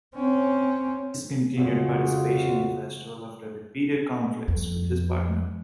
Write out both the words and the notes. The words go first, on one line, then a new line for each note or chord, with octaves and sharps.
He discontinued participation in the festival after repeated conflicts with his partner.
C4 C#4
F2 C#3 G#3 F4 F#4
F2